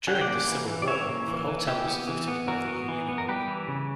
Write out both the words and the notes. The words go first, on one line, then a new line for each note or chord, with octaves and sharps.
During the Civil War, the hotel was looted by the Union Army.
C#4 F#5
G5
D5 F#5
A#3
E3
E3
D5
C#4 C#5 E5
A#3
E3
E3
E3 E4 G4
B3
E3
B3
E3 F#4 A#4
B3
E3
B3
A#4
G3 G4 B4
E3
C#3